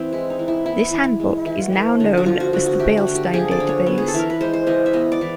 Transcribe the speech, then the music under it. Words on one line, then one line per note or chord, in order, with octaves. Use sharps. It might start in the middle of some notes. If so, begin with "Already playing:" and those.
This handbook is now known as the Beilstein database.
Already playing: E3 B3 C4
G#3 E4
D#4
E3
E4
B3 E4
E3
G#3
E3
A3
D3
F#4
F3 F4
F#4
D3 F#4
F#4
A3 G4
F#4
D3
G4
F3 G#4
D5
D3
C#5
B3
G#4
A4
E3 A#4
B4
G#3 C5
C5
E3 D#5
E5
B3 D#5
D5
E3